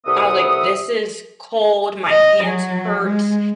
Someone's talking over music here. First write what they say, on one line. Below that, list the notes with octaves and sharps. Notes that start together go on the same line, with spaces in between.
I was like, "This is cold, my hands hurt."
C2 A3 B3 E5 D#6
D#5
F#3
G#3